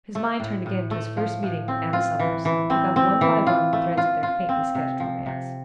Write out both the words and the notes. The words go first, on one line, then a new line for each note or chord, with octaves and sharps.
His mind turned again to his first meeting with Anna Summers and took up one by one the threads of their faintly sketched romance.
A3
A2
A2
A3
F3
A2
C4
F4
E3
E3
C4
C4
E3
F4
A3
F4
F4
C4
C3
F3
C3